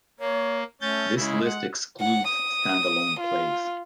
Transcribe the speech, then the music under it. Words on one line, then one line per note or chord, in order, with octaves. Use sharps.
This list excludes standalone plays.
A#3 C#5
A3 C#4 G6 A6
C#3 G#3 E4
F#5
F#5
D#6
F4